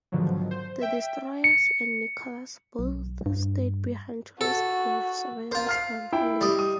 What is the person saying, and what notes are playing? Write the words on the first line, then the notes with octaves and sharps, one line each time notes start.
The destroyers and "Nicholas" both stayed behind to rescue survivors from "Helena".
G#2 B2 D3 D#3 F3 F#3
C5
E5 G5
C#7
B1
G2
F#4 A4
F4 A#4 C5
F5 F6 C7
E4 G5
G3 D#5
D#6